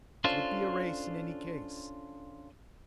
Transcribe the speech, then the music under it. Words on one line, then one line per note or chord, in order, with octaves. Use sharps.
It would be a race, in any case.
C#4 D4 F4 A4 C5